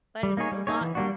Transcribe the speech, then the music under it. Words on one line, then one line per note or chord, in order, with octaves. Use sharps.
but it's st a lot of
G3
A#3 D#4 G#4 C#5
G3
A#3 D#4 G#4 C#5
E3
G3 A#3 D4 F#4